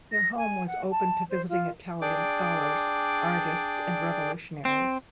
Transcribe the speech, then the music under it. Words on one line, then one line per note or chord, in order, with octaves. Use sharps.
Their home was open to visiting Italian scholars, artists and revolutionaries.
A#6
G#5
F#5
A5
C5
F4
D4 G#4 D5 G5 D6
C4